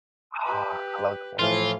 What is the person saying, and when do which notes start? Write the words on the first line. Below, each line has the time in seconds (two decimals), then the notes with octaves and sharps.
Ah, I love The Boys.
0.44 G4 B4
1.39 A2 E3 F3 F4 F5